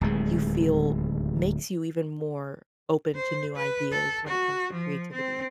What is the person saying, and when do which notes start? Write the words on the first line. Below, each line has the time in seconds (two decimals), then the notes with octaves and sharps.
you feel makes you even more open to new ideas when it comes to creativity?
0.01 D1 D#2 G#3
3.15 C5
3.56 B4
3.92 A4
4.27 F#4
4.73 F3
5.13 C4